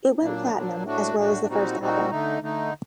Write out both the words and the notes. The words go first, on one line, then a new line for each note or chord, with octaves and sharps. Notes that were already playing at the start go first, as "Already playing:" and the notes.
It went Platinum as well as the first album.
A#2 F#3 A#3 D4
A#2 F#3 A#3 D4
A2 A3 D4 F#4
A2 A3 D4 F#4
A#2 G3 C4 D#4 F#4
A#2 G3 C4 D#4 F#4
D3 A3 D#4
D3 A3 D#4